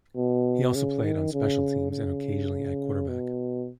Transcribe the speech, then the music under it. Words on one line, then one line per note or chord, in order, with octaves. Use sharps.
He also played on special teams and occasionally at quarterback.
B2
C#3
D#3
C#3
C#3
B2